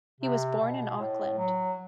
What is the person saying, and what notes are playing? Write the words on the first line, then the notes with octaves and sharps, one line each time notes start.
He was born in Auckland.
C3
B2
A2
F#3